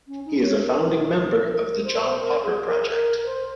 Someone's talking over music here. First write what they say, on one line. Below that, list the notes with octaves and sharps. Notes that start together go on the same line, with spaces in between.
He is a founding member of The John Popper Project.
C#4
D#4
C#5
A#4
A#4
A#4
C5
C5
A#4
G#4
A#4
A#4
A#4
C5